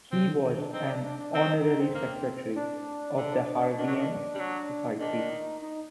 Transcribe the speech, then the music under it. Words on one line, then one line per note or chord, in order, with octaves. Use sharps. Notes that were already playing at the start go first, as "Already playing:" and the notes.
He was an honorary secretary of the Harveian Society.
C3 C4
D3
D#3
D4
C4 D#4
D4
D4
D4
C4 D#4
D#4
D#4
C4
A#3
D4
D3
D#3 D4
F#3
D#3
G3
F#3
D#3 D4
D#4
D#4